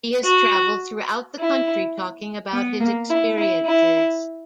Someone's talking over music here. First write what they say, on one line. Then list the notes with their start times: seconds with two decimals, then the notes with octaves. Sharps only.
He has traveled throughout the country talking about his experiences.
0.25 F#4
1.38 E4
2.53 B3
2.80 A#3
3.09 E4
3.37 E4
3.66 E4